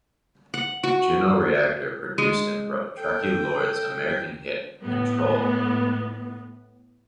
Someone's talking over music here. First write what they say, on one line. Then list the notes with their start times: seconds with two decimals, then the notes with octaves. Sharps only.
Juno Reactor produced and wrote Traci Lords's American hit "Control".
0.54 F#5
0.83 F#4
2.18 G#3
2.97 A4 G5
4.83 A2 B3